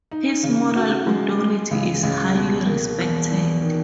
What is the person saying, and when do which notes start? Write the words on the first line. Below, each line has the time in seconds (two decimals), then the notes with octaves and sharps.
His moral authority is highly respected.
0.12 D#4
0.43 C#3
0.75 F#4
1.07 G#3
1.39 G#3
1.71 C#2
2.03 C#2
2.34 B2
2.66 A#3
2.98 E2
3.30 E2
3.62 D#3